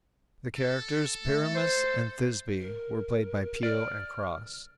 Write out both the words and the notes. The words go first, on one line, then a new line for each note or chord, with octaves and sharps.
The characters Pyramus and Thisbe were played by Peele and Crosse.
A4
A3
C5
A#4
D5 F6